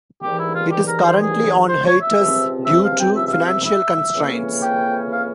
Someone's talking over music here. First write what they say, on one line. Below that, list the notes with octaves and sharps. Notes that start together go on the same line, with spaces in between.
It is currently on hiatus due to financial constraints.
G#2 E3 G3 A#3 G4
E4
F4
G4
A#4
C5
G#4
C5
C#5
E5
C#2 C3 F3 C4
E5
F5
G5
E5
E5
F5
E5
E5
F2 C#3 E3 A#3 C#4
G5
F5